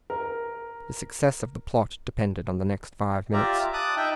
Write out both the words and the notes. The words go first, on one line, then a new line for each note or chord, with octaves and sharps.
The success of the plot depended on the next five minutes.
A#4
F4 G4 D5 E5 A#5
A5 D6 D#6 F#6
D#4 E5 G5